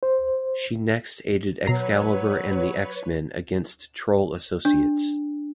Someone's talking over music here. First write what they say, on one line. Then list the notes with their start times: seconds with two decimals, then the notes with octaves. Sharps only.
She next aided Excalibur and the X-Men against Troll Associates.
0.03 C5
1.66 B2 F#3 B4 C#5 A#5 C7
4.65 D4